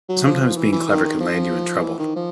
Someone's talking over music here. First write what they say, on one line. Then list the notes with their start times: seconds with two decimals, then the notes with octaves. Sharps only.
Sometimes being clever can land you in trouble.
0.09 F#3
0.25 F3
0.40 F3
0.57 E3
0.72 E3
0.89 D#3
1.04 D#3
1.20 F3
1.83 E3
1.99 D#3
2.16 F3